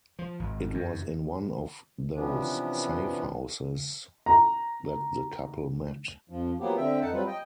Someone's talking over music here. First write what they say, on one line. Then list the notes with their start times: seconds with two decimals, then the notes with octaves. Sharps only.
It was in one of those safe houses that the couple met.
0.19 F3
0.39 G#1
0.74 F#2
2.14 C3 E3 F3 B3 C#4 D4
4.26 A#5
6.29 F2 F3
6.60 F3 F#3 A#3 B3 G4
6.77 D3 C4 E5 G5
7.01 F2 D#4 A4 F#5 A5
7.12 F#3 G3 C4 F4 B4
7.27 D#5 G5